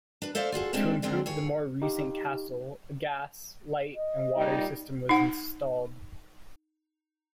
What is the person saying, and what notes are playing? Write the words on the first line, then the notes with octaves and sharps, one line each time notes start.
To improve the more recent castle, a gas, light, and water system was installed.
D4 B4
A4 C5 D5 E5 F5
F4 F#4 G#4 A4
F3 G3 G#3 C4 D4 A4
D2 D3 D#3 G#3 C4 D4
D#2 G#4 C#5
D#4 G4
D#5
A#2 G3 D#4
D#4 F#5